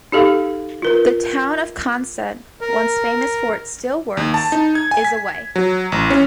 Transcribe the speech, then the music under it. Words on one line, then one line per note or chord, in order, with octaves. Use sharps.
The town of Consett, once famous for its steel works, is away.
D#4 G4 A4 F5
F4 A#4 B4
A#4
D#2
A5
D#4
G#6
G#5
B6
F#3
A1
C#4